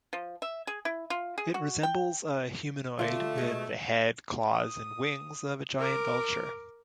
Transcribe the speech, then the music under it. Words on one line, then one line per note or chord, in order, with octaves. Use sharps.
It resembles a humanoid with the head, claws, and wings of a giant vulture.
F3
E5
G#4
E4
F4
G#4
F#4
G5
D3 A3 F4
B2 G#3
D#6
A#4 D6